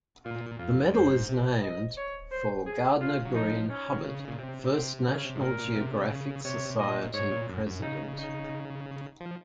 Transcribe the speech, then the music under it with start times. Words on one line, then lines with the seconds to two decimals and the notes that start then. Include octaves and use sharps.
The medal is named for Gardiner Greene Hubbard, first National Geographic Society president.
0.24 A#2 F4
0.59 F2 F4
0.89 F2
0.94 F#2 C5
1.11 G#2
1.29 C3
1.63 D#5
1.97 C#5
2.31 C5
2.66 G#4
3.01 C#3 F4
3.25 F#3
3.34 F3 D#4
3.69 C#4
3.92 D#3
4.04 C#3
4.28 A#2
4.38 C3 C4
4.72 C3 C4
5.07 C#3 C#4
5.24 C3
5.36 G#2
5.41 A#2 A#4
5.59 A#2
5.76 C3
6.10 C#3
6.44 C3 C#5
6.79 A#2 D#5
7.14 G#2 C#5
7.31 A#2
7.49 F#2
7.65 F#2
7.82 C#3 D#4
8.17 D#4
9.20 F3